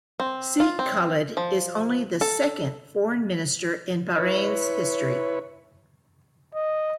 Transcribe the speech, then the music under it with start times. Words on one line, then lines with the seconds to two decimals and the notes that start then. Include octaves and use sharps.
Sheikh Khalid is only the second foreign minister in Bahrain's history.
0.20 C4
0.60 F4
0.79 C4
1.37 F3
2.21 A4
4.17 E4 B4 C#5
6.55 D#5